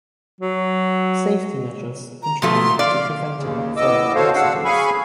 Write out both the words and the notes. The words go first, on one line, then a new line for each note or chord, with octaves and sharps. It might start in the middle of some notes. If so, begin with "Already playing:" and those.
Safety measures contributed to preventing further accidents.
F#3
A#5
B2 F3 A3 C6
D5 F5
D#2 C#3
A2 B3 D#5 D6 E6
F#4 A4 C5 C#5 F5
C#3 D4 F5 F#5 E6
G#4 F5 G#5 B5 C#6